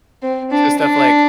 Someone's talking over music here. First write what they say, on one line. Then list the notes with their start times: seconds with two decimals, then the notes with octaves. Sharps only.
So, stuff like
0.23 C4
0.51 D4
0.79 D4